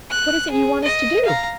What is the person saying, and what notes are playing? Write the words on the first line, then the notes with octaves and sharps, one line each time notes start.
"What is it you want us to do?"
F#6
G#4
D#5
F5 A#5